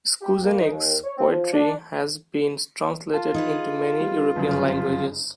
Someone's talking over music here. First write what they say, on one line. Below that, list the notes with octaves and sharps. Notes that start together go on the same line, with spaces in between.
Skujenieks' poetry has been translated into many European languages.
G4
A#3
D#4
D#2
C#5
C4
F3
D4
F4 A5
D#4 G#4 B4
G3
G1 F#2 C#3